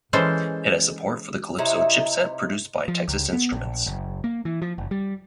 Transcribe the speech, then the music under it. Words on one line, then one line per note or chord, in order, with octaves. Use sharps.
It has support for the Calypso chipset produced by Texas Instruments.
E3 G#3 C#4 A4 C5
C3 D#4 E4 C#5
F3
C#2
B3
A#1
F#1
A#3
E3
F3
F#1
G3